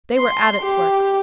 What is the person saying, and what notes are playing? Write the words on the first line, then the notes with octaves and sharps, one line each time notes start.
They were Abbot's works.
C6
G4